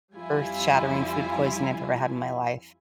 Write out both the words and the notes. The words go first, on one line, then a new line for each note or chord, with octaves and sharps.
earth shattering food poison I've ever had in my life.
F2 F3 G3 E4 F4 G#5